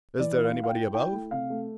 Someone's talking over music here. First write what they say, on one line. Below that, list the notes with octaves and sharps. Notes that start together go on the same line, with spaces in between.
"Is there anybody above?"
E3 D5
E4
F5
E4
F5
G5
E4
E4 G5
A3
C3 F5
A3